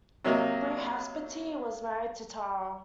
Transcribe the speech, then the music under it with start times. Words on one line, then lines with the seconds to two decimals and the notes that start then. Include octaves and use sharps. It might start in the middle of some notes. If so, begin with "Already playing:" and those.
Brihaspati was married to Tara.
0.25 C3 F#3 A#3 D#5